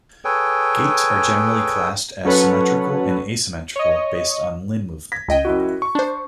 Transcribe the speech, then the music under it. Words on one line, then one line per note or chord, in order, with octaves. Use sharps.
Gaits are generally classed as "symmetrical" and "asymmetrical" based on limb movement.
G#4 A4 B4 C#5 G5 G#5
F#3 C#4 A4 B4 C#5 F#5
C#5 D#5
G#6 A#6 B6
C#2 D#5 G5
F#2 E4 F#4
C#6
D4 C5